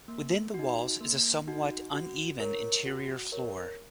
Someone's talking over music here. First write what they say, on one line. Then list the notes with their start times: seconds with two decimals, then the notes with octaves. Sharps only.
Within the walls is a somewhat uneven interior floor.
0.08 A#3
0.54 D#4 F#4
1.01 A#3
1.47 D#4 F#4
1.93 F#4
2.40 A#4 C#5
2.86 F#4
3.32 A#4 C#5